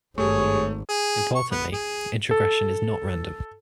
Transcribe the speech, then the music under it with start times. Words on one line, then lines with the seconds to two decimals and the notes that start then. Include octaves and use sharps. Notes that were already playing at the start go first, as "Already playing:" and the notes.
Importantly, the introgression is not random.
0.18 G#1 G2 A3 G4 G#4 C#5 C#6
0.89 G#4
1.35 C#6
1.51 B3
1.73 G#4
2.31 A4